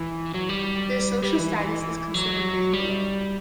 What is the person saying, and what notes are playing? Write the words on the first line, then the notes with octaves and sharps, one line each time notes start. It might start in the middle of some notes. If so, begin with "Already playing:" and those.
Their social status is considered very low.
Already playing: E3
F#3
G3
G3
E3
F#3
G3